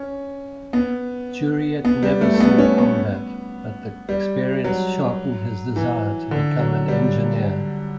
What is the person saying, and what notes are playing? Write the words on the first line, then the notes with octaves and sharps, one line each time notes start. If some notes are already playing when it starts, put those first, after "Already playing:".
Jureit never saw combat but the experience sharpened his desire to become an engineer.
Already playing: C#4
B3
B3
G3
A3
A3
B3
C#4
B3
G3
F#3
E3
D3
F#3
G3